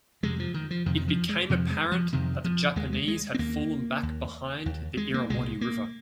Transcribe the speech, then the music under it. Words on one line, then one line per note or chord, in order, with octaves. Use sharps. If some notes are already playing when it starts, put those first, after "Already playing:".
It became apparent that the Japanese had fallen back behind the Irrawaddy River.
F2 C3 G#3
F3
D#3
F3
F2 C3 D#3
D#3
F3
G#3
F2 C3 F3
G#3
F3
F2 C3 D#3
F3
D#2 G#3
G#3
G#3
C4
D#2 A#3
D#2
D#2
G#3
A#3
C2 A#2 G#3
A#3